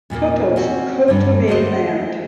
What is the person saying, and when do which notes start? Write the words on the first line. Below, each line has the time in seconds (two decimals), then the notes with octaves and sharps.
Totos cultivate land.
0.10 E2 A#2 G#3 A#3
0.56 C4 C#4 F#4
1.08 G2 D3
1.48 A3 F#4 C5 D#5